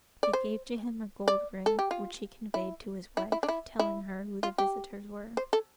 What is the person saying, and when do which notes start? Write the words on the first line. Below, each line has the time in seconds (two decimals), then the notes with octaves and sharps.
They gave to him a gold ring, which he conveyed to his wife, telling her who the visitors were.
0.23 D5
0.33 C5
1.28 D5
1.66 A4
1.79 G4
1.91 F4
2.54 E4
3.17 E4
3.32 E4
3.43 D4
3.48 E4
3.79 E4
4.43 F4
4.58 G4
5.37 C5
5.53 A4